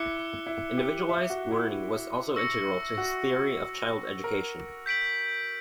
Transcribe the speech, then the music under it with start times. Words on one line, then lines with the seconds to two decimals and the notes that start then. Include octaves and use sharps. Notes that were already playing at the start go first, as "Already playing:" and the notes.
Individualized learning was also integral to his theory of child education.
Already playing: E4 D6 F#6 C#7 G7
0.47 E4
0.78 G4
1.09 E5
1.30 F#4
1.51 E4
2.35 C#6 E6 A#6 C#7
2.98 F#4
4.24 A#4
4.86 G6 B6 D7 F#7